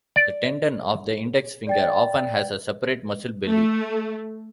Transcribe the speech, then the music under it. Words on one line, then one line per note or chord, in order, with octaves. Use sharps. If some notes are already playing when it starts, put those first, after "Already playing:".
The tendon of the index finger often has a separate muscle belly.
D5
D5 G5 A6
A3